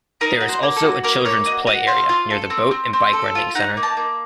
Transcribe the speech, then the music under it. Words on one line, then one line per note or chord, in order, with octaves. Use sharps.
There is also a children's play area near the boat and bike renting center.
D#4 A#4
F#4
C5
A#3
A4
F#4
A#3 A#4
A#3 C#5
F#4 D#5
F#4 D#5
C4 F5
F4
A4
C4
C4
C4
A4
F4
D#4 F#5
A#3
A5
A#3